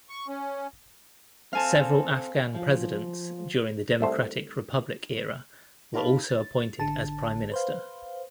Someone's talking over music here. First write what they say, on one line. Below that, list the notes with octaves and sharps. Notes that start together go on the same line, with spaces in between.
Several Afghan presidents during the Democratic Republic era were also appointed as Prime Minister.
C#6
C#4
C4 A4 F5 G#5 A5
F3
C2 A3 C5
D#4 G4 F5 A5 B5
A6
G#1 D3 A5
B4 C5 F5